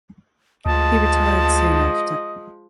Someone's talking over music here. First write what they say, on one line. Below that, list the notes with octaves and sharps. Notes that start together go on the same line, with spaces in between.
He retired soon after.
D2 F3 G#3 D#5 A5